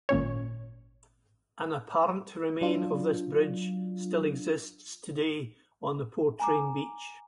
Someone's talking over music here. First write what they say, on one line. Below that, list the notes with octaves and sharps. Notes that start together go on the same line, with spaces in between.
An apparent remain of this bridge still exists today, on the Portrane beach.
G#1 A#2 C#4 C#5
F#3 D4 F4
G#5 A#5 D6